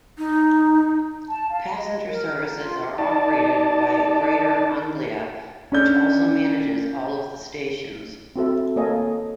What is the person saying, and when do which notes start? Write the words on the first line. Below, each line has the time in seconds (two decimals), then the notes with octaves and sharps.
Passenger services are operated by Greater Anglia, which also manages all of the stations.
0.18 D#4
1.28 A5
1.50 F5
1.76 D#5
2.04 A#4
2.53 F4
2.98 D#4 D5 A5
5.72 C#4 D4 G6
8.36 C4 F#4 A4 E5
8.76 A#3 A4 C#5 D#5 F5 G#5